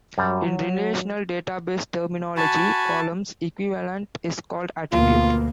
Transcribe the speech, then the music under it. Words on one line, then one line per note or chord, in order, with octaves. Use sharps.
In relational database terminology, column's equivalent is called attribute.
F#2 F#3 G3
A#5
F#4 G#5 A5 B5
D2 B2 A#3 B3 F4